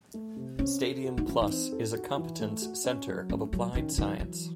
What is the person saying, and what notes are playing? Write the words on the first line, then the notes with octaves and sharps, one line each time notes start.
Studium Plus is a Competence Center of Applied Science.
A3
C3
C4 C#4
A4
F#4
D#4
E3 C#4
D#4
C4
A4
F#4
E3
A3
F#4
C#4
F#3
A3 C#4
F#3 F#4
D#3 C#4
D#3 F#3
E3 F#3